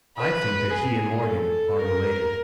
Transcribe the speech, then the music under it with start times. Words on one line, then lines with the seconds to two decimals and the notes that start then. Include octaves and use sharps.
I think that he and Morgan are related.
0.17 B4
0.70 G#4
1.25 A4
1.78 A#4